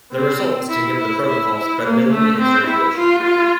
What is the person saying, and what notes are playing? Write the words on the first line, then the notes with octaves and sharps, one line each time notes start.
The result is to give "The Protocols" credibility and circulation.
C4
E4
E4
E4
E4
A#3
A3
C4
E4
F4
F4